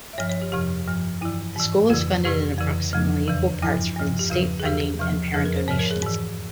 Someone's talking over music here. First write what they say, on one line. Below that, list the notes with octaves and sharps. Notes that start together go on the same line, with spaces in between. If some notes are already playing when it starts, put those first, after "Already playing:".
The school is funded in approximately equal parts from state funding and parent donations.
E5
G2 F3 C#5
C#5
G4
F2 C3 F3 G4
G2 F3
G2 E3 E4
G#2 E3
F2 C#3 E3 F4
F2 C3 E3 G4
F2 C#3 E3
F2 C#3 F3
E2 C#3 E3
G2 F3 E4
G2 F3
G4
E2 C#3 F3 F4
G#4
E2 C#3 E3 G4
E2 C3 F3
F2 C#3 F3 G#4
A#4
C5
G#2 F3 C#5
A#4
G#4
G#2 E3